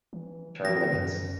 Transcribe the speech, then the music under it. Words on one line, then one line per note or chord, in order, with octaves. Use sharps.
Term Limits.
E3
F3 A#6
F#2